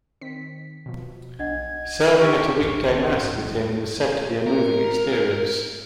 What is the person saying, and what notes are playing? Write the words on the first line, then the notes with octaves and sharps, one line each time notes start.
Serving at a weekday mass with him was said to be a moving experience.
D#3 C4 B6
B2 F3
B1 D4 D#5 F#5 G#6
G4 C#6 F6 A#6 D7
A#1 D#2 G#2
D1 A1 D#3 D4
D#1 C#2 A#2 D4
A#1 G#2 B2
E2 G3
A#4